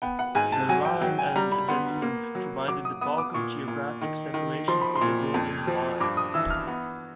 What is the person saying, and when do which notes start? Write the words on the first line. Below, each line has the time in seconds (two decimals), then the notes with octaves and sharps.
The Rhine and Danube provided the bulk of geographic separation for the Roman "limes".
0.02 B3 G5
0.19 F#5
0.35 G#2 G#5
0.52 A5
0.69 F#3 G#5
0.85 G5
1.01 F#3 G5
1.18 G#5
1.36 G3 A#5
1.52 B5
1.68 B3 C6
2.02 A#3
2.35 F#3
2.68 F#3 D6
2.85 D#6
3.01 B3 D#6
3.18 D6
3.34 A#2 C#6
3.68 A#2
4.01 D#3
4.34 D#3
4.68 F3 C6
4.81 B5
4.96 C6
5.01 A#2
5.34 F2
5.67 F3
6.00 G2 D6
6.17 D#6
6.34 E3 E6
6.50 F6
6.67 B3